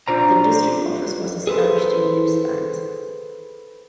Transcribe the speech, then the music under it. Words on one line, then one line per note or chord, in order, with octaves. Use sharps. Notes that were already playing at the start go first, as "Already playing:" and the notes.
The district office was established in Neustadt.
D4 F4 C5 A#5
G#4 A4 B4 C5